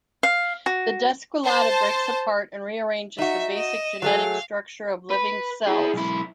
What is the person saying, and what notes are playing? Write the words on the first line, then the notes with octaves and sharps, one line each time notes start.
The Descolada breaks apart and rearranges the basic genetic structure of living cells.
F5
F#4
C5 A5
D#4 F#4 E5
D#5 E7
F#3 A3 G#4 F5
B4
E4 G#4
B1 E4